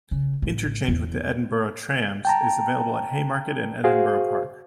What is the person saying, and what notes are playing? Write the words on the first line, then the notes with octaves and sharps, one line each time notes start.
Interchange with the Edinburgh Trams is available at Haymarket and Edinburgh Park.
C#3
A1
E2
G5 A5 A#5
F#4 G#4 C5 F5